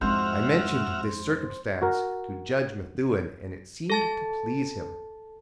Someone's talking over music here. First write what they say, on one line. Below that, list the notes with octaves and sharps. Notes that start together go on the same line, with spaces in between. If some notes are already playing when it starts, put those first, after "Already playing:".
I mentioned this circumstance to Judge Methuen, and it seemed to please him.
F2 G#2 G#3 C4 F#4 C5 E5 F6
F#4 A#4
A4 A5 A6